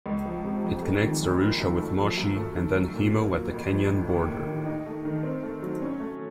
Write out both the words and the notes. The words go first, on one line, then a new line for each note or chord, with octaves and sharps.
It connects Arusha with Moshi and then Himo at the Kenyan border.
C#2
F3
C3
F2
A3
D#3
F#1
F3
F#2
A3
F3
F#2
A3
D#3
F#2
A#2
A#3
F#3
A1
F3
A2
D#2
A#3
D#3
D#4
A3
D#3
C4
A3
F#3
C#4
A3